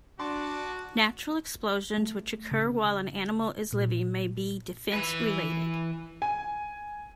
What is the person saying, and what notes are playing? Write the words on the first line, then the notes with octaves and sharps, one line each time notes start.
Natural explosions which occur while an animal is living may be defense-related.
D4 F#4 A5 C6 D6
A3
C#3
A#2
E3 B4
G#5